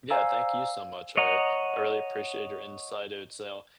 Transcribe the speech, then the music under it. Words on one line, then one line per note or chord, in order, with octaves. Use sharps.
Yeah, thank you so much. I I really appreciate your insight and so
C5 D5 F5 G#5 A#5 E6
C#5 D#5 F#5 A#5